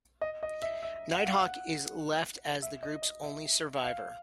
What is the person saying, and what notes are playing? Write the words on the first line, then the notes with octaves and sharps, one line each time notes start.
Nighthawk is left as the group's only survivor.
D#5
D#5
E5
E5
F#5
F5
F#5
E5
D#5
D#5
E5
F5